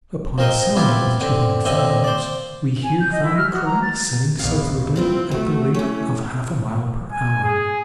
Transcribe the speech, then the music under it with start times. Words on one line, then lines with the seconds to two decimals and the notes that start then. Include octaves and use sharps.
Upon sounding with two hundred fathoms, we here found a current setting southwardly at the rate of half a mile per hour.
0.38 F3 C4 A#4 C5 D#5
0.77 B3 C4 E4 F4 G4
1.21 D3 C4
1.65 D#2 D3 C4 D#5 E5
2.04 C5 D5
2.83 G#5
3.00 G6
3.12 D#5
3.23 E4
3.37 F6
3.52 F#4
3.65 A#5
3.82 A6
4.39 A#1 E2 F5
4.96 C4 E4 F4 B4
5.31 A3 F#4
5.74 E3 C#4
7.12 G#5
7.44 G#4